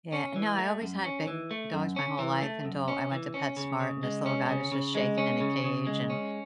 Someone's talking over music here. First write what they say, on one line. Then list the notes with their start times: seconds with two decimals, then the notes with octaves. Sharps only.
Yeah, no, I always had big dogs my whole life until I went to PetSmart and this little guy was just shaking in a cage, and
0.12 C#4
0.36 E3
0.59 A3
0.82 F#2
1.04 C#4
1.27 E3
1.51 A3
1.73 F#2
1.96 C#4
2.19 E3
2.42 A3
2.65 F#2
2.88 C#4
3.12 E3
3.34 C#4
3.57 C#3
3.80 C#3
4.03 G#3
4.26 C#4
4.49 C#3
4.72 C#3
4.95 G#3
5.18 C#4
5.40 C#3
5.64 C#3
5.87 G#3
6.10 C#4